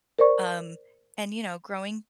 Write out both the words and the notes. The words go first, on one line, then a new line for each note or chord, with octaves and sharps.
Um, and, you know, growing
A#4 C5 D5 C#6